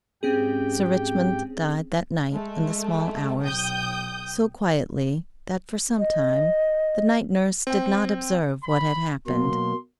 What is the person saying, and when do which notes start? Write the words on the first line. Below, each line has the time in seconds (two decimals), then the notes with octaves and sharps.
Sir Richmond died that night in the small hours, so quietly that for some time the night nurse did not observe what had happened.
0.23 G#2 C4 C#4 G4 G#4 G5
2.32 G#3 A3
3.42 B1 G5 D#6 G6
5.99 D#5
7.67 C4 G5
8.63 B5
9.27 B2 F#3 A#3 C6